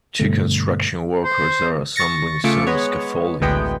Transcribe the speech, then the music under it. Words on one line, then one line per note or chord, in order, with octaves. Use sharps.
Two construction workers are assembling some scaffolding.
G2 B2 D3 A3
C5
C#6 A6 A#6 C#7
C#3 A3 F4 D6 C#7
G#3 B3 C#5
A1 D2 G#3 B3 G5